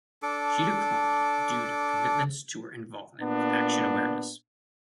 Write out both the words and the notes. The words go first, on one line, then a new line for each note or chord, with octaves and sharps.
She declined due to commitments to her involvement with Action Awareness.
D4 A4 D6
A#2 B3 D4